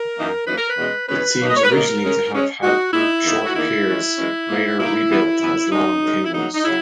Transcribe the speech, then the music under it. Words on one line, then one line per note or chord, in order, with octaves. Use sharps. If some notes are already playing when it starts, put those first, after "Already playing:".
It seems originally to have had short piers, later rebuilt as long thin ones.
Already playing: A#4
F#2 E3 A#3 D#4
F#2 E3 A#3 D#4 B4
A#4
B4
E2 B2 G#3 C#4
E2 B2 G#3 C#4 B4
B2 F#3 A#3 D#4
D#5
C#5
B4
B2 F#3 A#3 D#4 A#4
C#3 G#3 C#4
C#3 G#3 C#4
A#2 G#3 D#4 F#4
A#2 G#3 D#4 E4
E2 D#3 A#3 D#4
F#4
E2 D#3 A#3 D#4 E4
F#2 E3 G#3 C#4
F#2 E3 G#3 C#4
A#2 A#3 D#4
A#2 A#3 D#4 E4
F#2 E3 B3
F#2 E3 B3
F#2 D#3 G#3 D#4
F#2 D#3 G#3
E4
F#2 C#3 F#3 A#3 D#4
D#4
C#3 F#3 E4